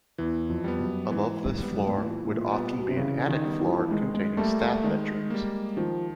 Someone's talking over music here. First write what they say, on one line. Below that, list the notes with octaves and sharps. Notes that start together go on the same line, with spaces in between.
Above this floor would often be an attic floor containing staff bedrooms.
E2 E3
F2
G3 B3
F#2
G#2 E3
G3 B3
F#2
G2
G#2
A2
A#2 E3
A2
A#2
G3 B3
B2
C3
C#3 E3
D#3
G3 B3
E3
F3
E3
D#3 G#3
G#3
G3 A3 A#3
A3
D#3 G#3
G3 A#3
D#3 F3